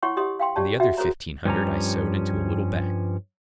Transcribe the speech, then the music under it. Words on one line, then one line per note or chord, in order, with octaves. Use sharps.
And the other fifteen hundred I sewed into a little bag.
E4 C#5 F#5 C6 C#6
G4 C#5 D#5 F#5 C6 D#6
F5 G5 C6
G4 C#5 D5 A5
F#4 D#5 E5 F#5
F#4 G#4 A#4 C5 C#5 A#5
G2 F3 C#4 G4 A#5